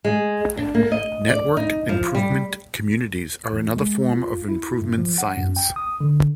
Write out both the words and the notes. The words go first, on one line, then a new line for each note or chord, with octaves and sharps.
Networked Improvement Communities are another form of Improvement Science.
G#3
D4
A#3
D#5
D5
D#4
F3
G3
E2
G#3
F4
E4
G2
F3
F#5
F#2
G5
D#6
D3